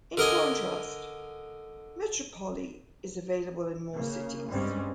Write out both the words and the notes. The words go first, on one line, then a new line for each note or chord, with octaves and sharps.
In contrast, "Metropoli" is available in more cities.
D3 A#4 D#5 G#5
C#3 A#3
G2 G3 G#3 C4 C#4